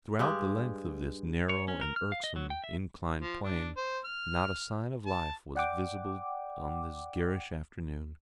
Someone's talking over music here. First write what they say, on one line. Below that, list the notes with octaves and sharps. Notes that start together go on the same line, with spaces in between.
Throughout the length of this narrow and irksome inclined plane not a sign of life was visible on this garish afternoon.
G2 G#3 G4
C#5
C#4
A#4
F6
F5
D#5
F#3
G5
E5
F3
D4
C5
F6
A5
D5 F#5 G5 D6